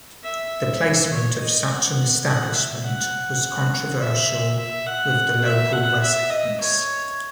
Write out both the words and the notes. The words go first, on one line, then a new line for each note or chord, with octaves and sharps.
The placement of such an establishment was controversial with the local residents.
E5
C#5
D#5
F#5
F#5
E5
F#5
E5
E5
F#5
E5
F#5
E5
D#5
C#5